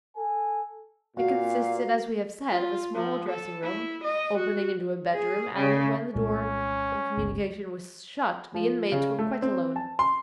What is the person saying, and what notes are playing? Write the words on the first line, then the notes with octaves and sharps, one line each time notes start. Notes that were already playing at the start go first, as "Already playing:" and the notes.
It consisted, as we have said, of a small dressing-room, opening into a bedroom, and, when the door of communication was shut, the inmates were quite alone.
A4 G#5
A#2 F#4 F5
F4
F3
A4
E4
D#5
F#4
G#4
C#3
C2 A#2 G#3 C#4
G1 C#2
F3
C#3
A3
C4
A5
C6